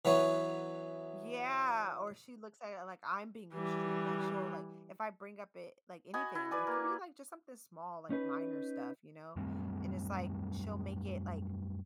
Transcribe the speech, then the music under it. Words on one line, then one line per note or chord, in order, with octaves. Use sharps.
Yeah, or she looks at it like I'm being extreme, like she'll like if I bring up it like, anything, it could be like just something small like minor stuff, you know, and it's like she'll make it like
E3 F#3 B3 C#5
E3 G3
F#4 D#5 G#5 B5
E4
B4 D5 G#5
A#3
C#4 D#4 B4
F#2 G3 A3 C4